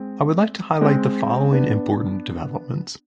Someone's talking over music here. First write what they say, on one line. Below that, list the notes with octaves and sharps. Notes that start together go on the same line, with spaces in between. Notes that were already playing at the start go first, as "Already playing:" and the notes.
I would like to highlight the following important developments.
Already playing: G#3 C4
G#3 C4
B3 D4